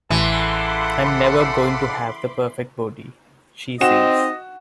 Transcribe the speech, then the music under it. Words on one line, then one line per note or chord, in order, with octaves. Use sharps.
"I'm never going to have the perfect body", she says.
A1 C#3 E3 A4 F#5 B5 C6 D6
C4 D#4 F#4 D#5 E7